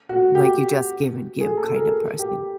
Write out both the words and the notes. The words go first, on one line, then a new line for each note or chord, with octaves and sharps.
Like, you just give and give kinda person.
F#4
G4
G#4
A4
A#4
G4